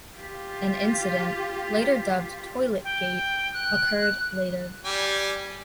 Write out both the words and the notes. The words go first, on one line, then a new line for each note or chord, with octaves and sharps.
An incident, later dubbed "Toiletgate", occurred later.
F4 G4
G5
F#6
G3 G4 G#5